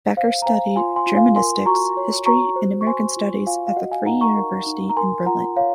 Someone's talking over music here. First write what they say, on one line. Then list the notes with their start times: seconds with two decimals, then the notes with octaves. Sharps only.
Becker studied Germanistics, History and American Studies at the Free University in Berlin.
0.17 C5 F5
0.42 A#5
0.46 C5 F5 G#5
0.76 F4 G#5 C6
0.96 G#5 C6
1.07 F4
1.16 F5 G#5
1.36 A#4 G#5 C6
1.66 F#4 A#5 C#6
1.97 C#5
2.26 F#4 A#5 C#6
2.56 C5
2.81 C#6
2.86 C5 G#5 C6
3.16 F4
3.47 F4 F5 G#5
3.67 F5
3.76 F#4 D#5 F#5
3.91 F5 G#5
4.06 D#4 F#5 A#5
4.21 A#5 C#6
4.36 A#4
4.66 D#4
4.90 A#5
4.97 A#4 G#5 C6
5.26 F4 F#5 A#5
5.56 C#5 F5